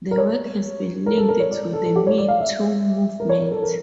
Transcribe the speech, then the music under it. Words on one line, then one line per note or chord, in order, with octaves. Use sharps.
The work has been linked to the Me Too movement.
A#4
C#5
A#4
A4
A#4
C#5
D5
A4
A4
G4
C#5
D5
F5
E5
A#4
C#5
A#4
A4
A#4